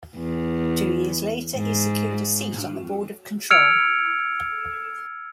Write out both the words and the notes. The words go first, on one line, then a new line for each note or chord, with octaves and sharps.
Two years later, he secured a seat on the Board of Control.
E2
G#2
E6 F6 G#6 C#7 D7 F7